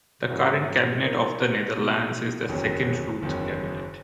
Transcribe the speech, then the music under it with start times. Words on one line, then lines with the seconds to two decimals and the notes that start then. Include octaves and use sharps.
The current cabinet of the Netherlands is the Second Rutte cabinet.
0.29 G#2 E3 A#3 C#4 F#4
1.03 B2 A#3 D#4 A#4
1.76 B2 A#3 D#4 A#4
2.49 F#1 E2 D#3 F#3 C#4
3.22 F#1 E2 D#3 F#3 C#4